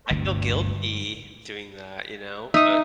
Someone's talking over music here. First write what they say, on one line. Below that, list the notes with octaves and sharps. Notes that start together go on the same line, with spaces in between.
I feel guilty doing that, you know, but
G1 D2 G2 C3
D#4 E5 D#6